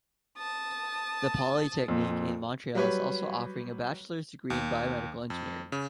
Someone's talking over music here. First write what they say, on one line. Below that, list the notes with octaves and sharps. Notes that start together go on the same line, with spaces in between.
The Polytechnique in Montreal is also offering a bachelors's degree in biomedical engineering.
A5 D#6
F2 A#2
F#3 G3 B4 C#5
D#2
F2
C#3